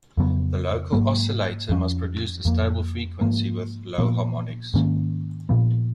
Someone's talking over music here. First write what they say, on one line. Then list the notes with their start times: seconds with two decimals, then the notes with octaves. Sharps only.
The local oscillator must produce a stable frequency with low harmonics.
0.17 F2 C#3 F#3 B3
0.93 G#2 F#3 A#3
1.69 F2 F3 G#3 C#4
2.45 F2 F3 A#3
3.21 G#2 F3 A#3
3.98 A#2 F3 B3
4.74 G#2 D#3 A#3 C#4
5.49 A#2 F3 B3